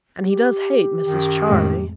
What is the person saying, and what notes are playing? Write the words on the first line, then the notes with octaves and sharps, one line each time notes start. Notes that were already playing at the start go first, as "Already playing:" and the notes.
And he does hate Mrs. Charley.
G4
F#2 D#3
F2 A2 G#3